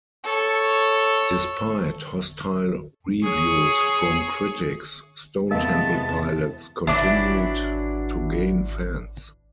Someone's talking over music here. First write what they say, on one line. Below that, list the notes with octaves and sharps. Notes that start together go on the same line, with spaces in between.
Despite hostile reviews from critics, Stone Temple Pilots continued to gain fans.
A4 C#5
G#4 C#5
E2 C3 G#3 B3 A#4 D#5 F5 A5
G#1 E3 F#3 D4 E4 D5